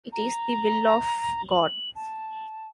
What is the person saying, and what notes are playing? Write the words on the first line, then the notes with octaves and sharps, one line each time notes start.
It is the will of God!
A#5
F#7
A5